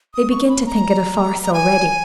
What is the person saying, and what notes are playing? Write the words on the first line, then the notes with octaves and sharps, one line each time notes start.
They begin to think it a farce already.
D#6
C#6
B5
A#5
A#5
G#5